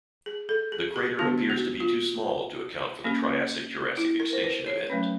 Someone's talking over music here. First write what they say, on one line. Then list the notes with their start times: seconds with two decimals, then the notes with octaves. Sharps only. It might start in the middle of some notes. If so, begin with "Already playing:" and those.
The crater appears to be too small to account for the Triassic-Jurassic extinction event.
0.26 G#4
0.49 A4
0.72 G#4
0.96 G4
1.18 D3 G3 B3 D4 F#4
1.50 F#4
1.80 F4
3.04 G3 A#3 C#4
3.97 E4
4.20 A#4
4.33 C5
4.44 B4
4.67 C#5
4.90 F#3 A3 C#4 B4